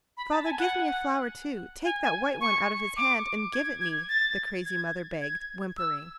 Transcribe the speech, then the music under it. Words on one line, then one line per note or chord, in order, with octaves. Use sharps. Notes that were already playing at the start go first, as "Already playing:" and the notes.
"Father, give me a flower, too; take that white one out of his hand and give it me," the crazy mother begged, whimpering.
B5
A5
G#5
F#5
G#5
G#5
C#6
D6
G#6
G#6
A6
G#6
G#6
E6